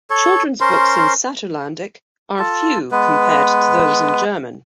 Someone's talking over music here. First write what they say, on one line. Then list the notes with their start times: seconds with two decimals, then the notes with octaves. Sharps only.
Children's books in Saterlandic are few compared to those in German.
0.10 A4 C#5
0.61 C#4 A#4 C5 C6
2.39 F4 A4 A5
2.91 G#3 B3 B4